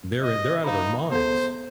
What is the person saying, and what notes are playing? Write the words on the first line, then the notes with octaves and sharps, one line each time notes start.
They're in they're out of their minds.
D#5
D#4 F5 A#5 B5
B3 A4 C5